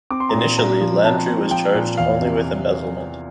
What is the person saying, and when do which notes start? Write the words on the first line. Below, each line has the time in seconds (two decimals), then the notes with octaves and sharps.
Initially, Landru was charged only with embezzlement.
0.11 C4 D6
0.20 C6
0.29 A#5
0.34 A#2 C6
0.57 A#2 A#5
0.81 F3
1.04 C4 A5
1.28 C4
1.51 F3 G5
1.75 A#2
1.98 E2 F5
2.21 C3